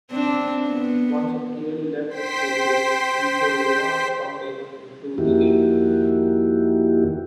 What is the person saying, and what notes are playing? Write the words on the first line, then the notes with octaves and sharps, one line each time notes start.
Once a player left the field, he could not come back into the game.
C4 D4
B3
C5 G5 C6 B6
F2 D#3 A#3 E4 F#4 G4